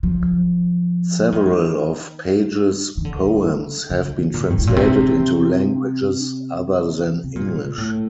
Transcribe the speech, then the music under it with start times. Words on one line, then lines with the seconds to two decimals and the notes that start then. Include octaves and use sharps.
Several of Page's poems have been translated into languages other than English.
0.03 F3
1.32 D#3
2.97 D#3
3.05 D3
3.91 D3
4.34 A#2
4.50 G2
4.59 A2
4.67 A#2
4.76 C3
7.24 C3
7.36 A#2
7.78 A2